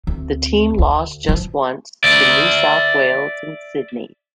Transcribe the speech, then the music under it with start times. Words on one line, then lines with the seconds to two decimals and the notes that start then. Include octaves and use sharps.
The team lost just once, to New South Wales in Sydney.
0.07 D2 C4
0.78 D2
1.29 F3
2.04 D5 E5